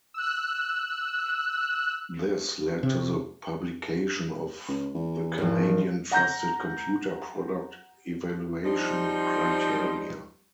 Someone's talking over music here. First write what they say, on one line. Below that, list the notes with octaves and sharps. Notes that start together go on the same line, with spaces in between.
This led to the publication of the Canadian Trusted Computer Product Evaluation Criteria.
E6 F#6
C3
C#2
E2
G#1 F3
F#5 A#5 G6 A#6
F3 G3 C4 D#4 C5